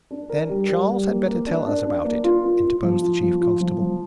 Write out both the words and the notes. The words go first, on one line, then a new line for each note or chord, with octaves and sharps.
"Then Charles had better tell us about it," interposed the chief constable.
D4
A#4
G3
G3
G3
A#3
A#3
D4
D4
D4
A#3
F4
F4
F4
F3
F4
F3
F4
F3
F3